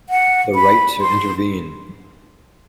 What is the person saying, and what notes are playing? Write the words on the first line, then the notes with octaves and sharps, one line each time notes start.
The right to intervene.
F#5
B5
C6